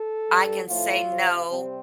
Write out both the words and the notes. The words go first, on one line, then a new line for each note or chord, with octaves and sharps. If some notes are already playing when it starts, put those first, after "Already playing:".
I can say, "No."
Already playing: A4
G2 G3
A2 F3 A3 F4
F2 C3 F3
C3 G3 C4